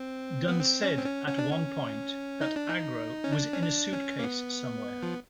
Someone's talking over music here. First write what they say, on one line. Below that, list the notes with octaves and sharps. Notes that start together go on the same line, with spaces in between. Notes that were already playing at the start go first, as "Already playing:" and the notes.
Dunn said at one point that Agro was 'in a suitcase somewhere'.
Already playing: C4
B3
C4
C#4
C4
C#4
C#4
D4
C#4
D#4
D4
D#4
C#4
D4
C#4
D4
C#4
A#3
B3
F3